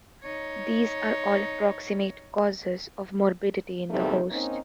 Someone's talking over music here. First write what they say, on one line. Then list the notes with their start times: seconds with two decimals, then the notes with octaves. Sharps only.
These are all proximate causes of morbidity in the host.
0.23 D#4 C#5
3.90 E2 C3 G3 A3 A#3 D#4
4.29 A#3 C4 C#4 D#4